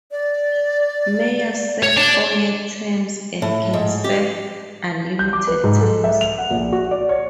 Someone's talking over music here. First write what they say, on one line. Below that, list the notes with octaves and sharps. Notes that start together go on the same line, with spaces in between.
Mayors serve four-year terms and can serve unlimited terms.
D5
C#5
D5 A5
A2
G#2
G4
G6
D6
B4
G#2
A4
E5
F7
F#5
A#1
F#4
D5
C#5